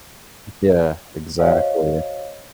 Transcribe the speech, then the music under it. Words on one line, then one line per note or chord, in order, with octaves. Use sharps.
Yeah, exactly.
F#4 C5 C#5 D#5 F5